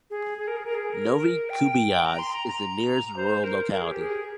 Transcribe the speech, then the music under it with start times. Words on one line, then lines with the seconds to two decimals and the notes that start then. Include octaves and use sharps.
Novy Kubiyaz is the nearest rural locality.
0.10 G#4
0.38 G#4
0.48 A#4
0.57 G#4
0.66 A#4
0.75 G#4
0.93 A#4
1.50 G5
2.05 A#5
2.19 C6
2.33 A#5
2.47 A#5
3.17 C5
3.44 A#4
3.71 A#4
3.81 G#4
3.91 G4
4.02 G#4